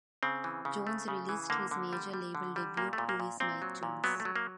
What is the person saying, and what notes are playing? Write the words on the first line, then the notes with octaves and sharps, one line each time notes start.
Jones released his major label debut, Who Is Mike Jones?
C#3 C4
E3
C#3
A3
C#3
E3
D3 A#3
D3
G3
G3
D3
G3
A#2 A#3
A3
A#2
A#3
A#2
A#2 C4
F#3
A#2
F#3 B3
A3
F#3
A#3